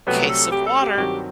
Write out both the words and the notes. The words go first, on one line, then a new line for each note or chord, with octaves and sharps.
case of water
C2 C3 F#3 A3 B3
A4
G4
A4
G4
G2 D#3 F#3 C4 F#4 G4